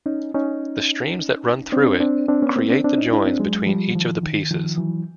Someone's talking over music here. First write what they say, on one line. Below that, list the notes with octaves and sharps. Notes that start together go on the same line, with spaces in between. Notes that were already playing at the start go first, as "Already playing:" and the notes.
The streams that run through it create the joins between each of the pieces.
C#4 D#4
C#4 D#4
C4 D4
C4 D4
C4 D4
B3 C#4
A#3 C4
C4 D4
C4 D4
C#4 D#4
D4 E4
C4 D4
F#3 G#3
F3 G3
D#3 F3
D#3
D#3 F3
E3 F#3